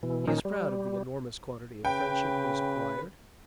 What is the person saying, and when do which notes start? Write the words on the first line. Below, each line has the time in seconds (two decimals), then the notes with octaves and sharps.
He is proud of the enormous quantity of friendship he has acquired.
0.03 B2 E3
0.28 A#2 D#3 C#4 D#4
0.45 G3
1.85 C#3 B4 G5